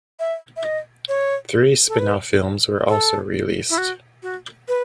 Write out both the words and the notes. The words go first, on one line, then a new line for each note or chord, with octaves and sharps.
Three spin-off films were also released.
E5
E5
D#5
C#5
A4
B4
A4
E4
F#4
F#4
B4